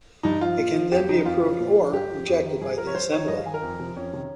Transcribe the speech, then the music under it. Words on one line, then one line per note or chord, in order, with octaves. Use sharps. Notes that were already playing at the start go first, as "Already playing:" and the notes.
It can then be approved or rejected by the Assembly.
G2 D#4
F3 F4
A#2
F3
F2 G4
C#3 F3 D#4
F2 F4
C#3 F3
A#2
F3
G2 G4
F3
F2
D#3
G2 G#4
F3 A#4
C#5
G2 C5
D#3 C#5
G2 D#5
F5
D#3 G#5
A#4
F2
C3 F3
F2 C#4
C3 D#3